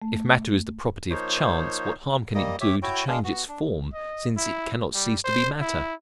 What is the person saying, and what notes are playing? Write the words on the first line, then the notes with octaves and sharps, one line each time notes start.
If matter is the property of chance, what harm can it do to change its form since it can not cease to be matter?
A3
F3 A#3 D#4 C5 C#5
G3 A#3 D#5
G4 C#5 E5
E4 F#4 C#5 G5
G#3 D4 G#4 F5
B3 F#4
D4
D#5
E4
G3
C5
E4